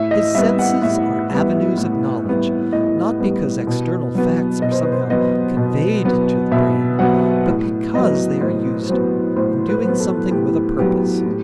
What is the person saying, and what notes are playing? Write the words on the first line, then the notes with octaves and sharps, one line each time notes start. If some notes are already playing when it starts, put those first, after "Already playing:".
His senses are avenues of knowledge not because external facts are somehow "conveyed" to the brain, but because they are used in doing something with a purpose.
Already playing: A2 E5
D#5
G3 B3 E5
F#5
A2 E5
G3 B3
A2
G3 B3
A2 D#5
G3 B3
B2
F#3 B3
B2 D#5
C5
B4
C5
F#3 B3 D#5
B2
F#3 B3
B2 E5
F#3 B3 F#5
A2
F#3 B3 D#5
A2 C5
F#3 B3 C5
A2 C5
B4
F#3 B3
A4
A2 G4
F#3 B3 G4
A2